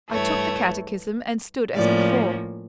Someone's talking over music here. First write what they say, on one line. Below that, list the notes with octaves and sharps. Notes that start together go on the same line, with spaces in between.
I took the catechism, and stood as before.
G2 E3 A3 C#5
A2 F3 A#3 C#4 D5